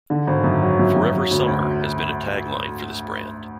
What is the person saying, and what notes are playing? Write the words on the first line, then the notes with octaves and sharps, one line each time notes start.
"Forever Summer" has been a tagline for this brand.
D3
G#1
F#2
F#3
F#2
F#2
F#3
D2
D2